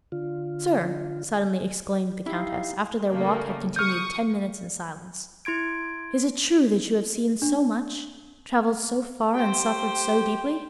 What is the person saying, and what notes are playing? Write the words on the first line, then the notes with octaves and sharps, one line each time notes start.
"Sir," suddenly exclaimed the countess, after their walk had continued ten minutes in silence, "is it true that you have seen so much, travelled so far, and suffered so deeply?"
D3 F4
D#4 E4 G4 F5
C#3 A3 A#3
C#6 D#6 F6 G6
E4 C6 G#6 D7
D4
G4 C5 G5